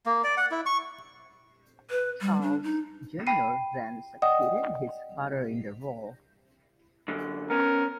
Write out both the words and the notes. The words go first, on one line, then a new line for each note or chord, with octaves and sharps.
Charles Junior then succeeded his father in the role.
A#3
D5
F#5
E4
C#6
B4
G3
D4
D#4
G5 B5 C7 D#7
D5 D#5 F#5 G5 D#6
F#2 D3
B3 C#4 A#4